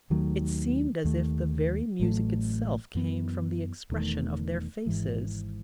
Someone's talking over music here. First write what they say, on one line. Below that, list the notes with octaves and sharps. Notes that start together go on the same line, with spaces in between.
It seemed as if the very music itself came from the expression of their faces.
D#2 D#3 F#3 A3
D#2 D#3 A3
A1 A2 F#3 A3
F#2 E3 B3
E1 E2 D#3 A3
G#1 G#2 E3 G#3